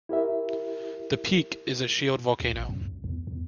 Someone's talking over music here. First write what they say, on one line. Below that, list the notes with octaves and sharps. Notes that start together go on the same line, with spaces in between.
The peak is a shield volcano.
E4 G4 A#4 E5
D2
A1
F#2
C2
E2
E2